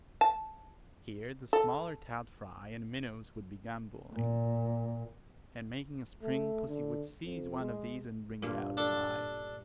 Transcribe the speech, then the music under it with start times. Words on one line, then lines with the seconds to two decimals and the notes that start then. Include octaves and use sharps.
Here the smaller trout-fry and minnows would be gambolling; and, making a spring, pussy would seize one of these and bring it out alive.
0.21 A5
1.53 A4
4.14 A#2
6.23 A3
6.68 D3
7.24 F2
7.60 G#3
8.42 G2 A#2
8.77 D4 A4